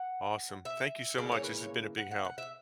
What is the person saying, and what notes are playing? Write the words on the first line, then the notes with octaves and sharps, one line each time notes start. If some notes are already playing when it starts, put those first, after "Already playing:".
Awesome. Thank you so much, this has been a big help.
Already playing: F#5
E5
C#3 E3 A#3 D5
C#5
B4
C#5
F#5
F#5
F#5
E5